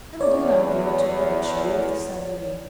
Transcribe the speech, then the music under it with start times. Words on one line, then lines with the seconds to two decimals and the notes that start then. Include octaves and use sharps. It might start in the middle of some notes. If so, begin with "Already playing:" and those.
"It'll do them good to hear the truth," said he.
0.21 E2 C#5 D5